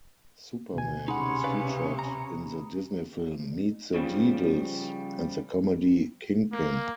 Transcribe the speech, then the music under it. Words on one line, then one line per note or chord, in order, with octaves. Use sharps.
"Superman" is featured in the Disney film "Meet the Deedles" and the comedy "Kingpin".
D2 B2 G#5
C3 C#4 D#4 G#4 F#5 B5 C6
B4 D5 F5
A#5
C#3 F3 G3
A#3